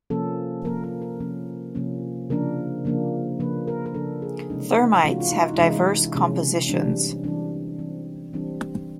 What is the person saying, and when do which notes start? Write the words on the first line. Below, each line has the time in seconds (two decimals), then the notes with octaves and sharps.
Thermites have diverse compositions.
0.10 C3 F3 A#3 C#4 A4
0.65 C3 F3 A#3 C#4 A#4
0.84 A#4
1.02 A#4
1.20 C3 F3 A#3 C#4
1.75 C3 F3 A#3 C#4
2.30 C#3 F3 A#3 D4 A#4
2.85 C#3 F3 A#3 D4
3.40 C#3 F3 A#3 D4 B4
3.67 A#4
3.86 A#4
3.94 C#3 F3 A#3 D4 A4
4.22 G#4
4.50 C3 E3 G#3 C#4 D#4
4.77 D#4
5.04 C3 E3 G#3 C#4 F4
5.12 F#4
5.20 F4
5.32 D#4
5.54 E4
5.59 C3 E3 G#3 C#4 D#4
6.15 C3 E3 G#3 C#4
6.69 E3 G3 C4 D4
7.24 E3 G3 C4 D4
7.79 E3 G3 C4
8.33 E3 G3 C4 D4